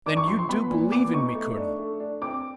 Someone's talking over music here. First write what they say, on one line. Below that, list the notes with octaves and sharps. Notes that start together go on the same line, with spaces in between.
"Then you do believe in me, Colonel?"
D4 D6
C#6
F3 C6
C6
B3 B5
A#2
B3 D6
D#4 C#6
A3
D4
A3
D4
C4 D6